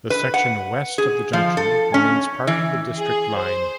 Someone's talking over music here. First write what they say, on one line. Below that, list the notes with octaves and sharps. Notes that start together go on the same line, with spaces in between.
The section west of the junction remains part of the District line.
B4
F#5
G#4
F3
A4
C#4
E3
G#4
C5